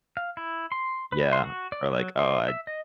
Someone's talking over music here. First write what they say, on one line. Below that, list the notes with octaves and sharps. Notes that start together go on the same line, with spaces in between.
Yeah, or like, oh, I
F5
E4
C6
B4
C6
F#4
D5
F#3
C5
E5
D#5